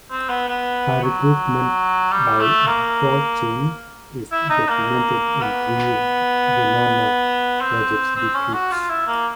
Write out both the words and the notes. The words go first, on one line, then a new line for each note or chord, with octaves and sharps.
Her recruitment by Wovschin is documented in three Venona project decrypts.
C4
B3
B3
F#3
G3
A3
A#3
E4
D#4
A#3
B3
C4
C4
C#4
F#4
F4
E4
A#3